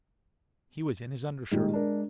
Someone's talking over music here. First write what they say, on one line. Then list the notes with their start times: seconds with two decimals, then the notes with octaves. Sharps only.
He was in his undershirt.
1.52 A#2 D#3 G3 G#3
1.73 D4 A#4